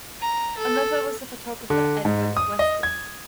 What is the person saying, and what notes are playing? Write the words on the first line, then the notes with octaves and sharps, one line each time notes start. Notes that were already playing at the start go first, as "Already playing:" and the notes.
Another was the photographer, Edward Weston.
A#5
A4
D3
G#2
D#6
D#5
G#6